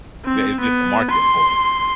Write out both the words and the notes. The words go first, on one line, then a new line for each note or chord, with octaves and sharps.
there is just a market for it.
C4
B3
C6